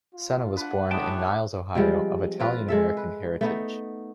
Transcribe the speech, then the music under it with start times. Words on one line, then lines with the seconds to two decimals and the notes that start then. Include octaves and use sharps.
Sena was born in Niles, Ohio of Italian-American heritage.
0.14 F4
0.57 D4 B4 F#5
0.91 G#3 B3 D4 E4 C#5 E5 G5 A5
1.75 F3 G3 G#3 C4
2.39 C4 F4 B4
2.68 G#3 A4 E5
2.97 B4
3.41 A3 B3 D#4